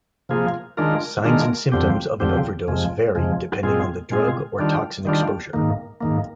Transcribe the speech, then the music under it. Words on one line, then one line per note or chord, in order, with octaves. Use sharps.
Signs and symptoms of an overdose vary depending on the drug or toxin exposure.
C3 F3 A#3 F4 G#4
D#3 G#3 D4 F4 A#4
D#3 G#3 D4 F4 A#4
F2 D3 F3 C4 G4
F2 D3 F3 C4 G4
F2 C3 F3 G#3
F2 C3 F3 G#3
A#2 G#3 C4 F4 G#4
A#2 G#3 C4 F4 G#4
D#3 G3 D4 F4
D#3 G3 D4 F4
G#2 D#3 A#3
G#2 D#3 A#3